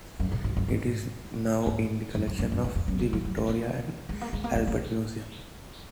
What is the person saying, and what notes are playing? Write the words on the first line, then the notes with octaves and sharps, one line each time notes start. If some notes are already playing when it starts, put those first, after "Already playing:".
It is now in the collection of the Victoria and Albert Museum.
F#2
A#2
G#2
F#2
G#2
G#2
F#2
F#2
F#2
F#2
G#2
F2
F#2
C#3
F3
F#3
G#3
A#3
G#3
A#3
G#3
A#3
G#3
A#3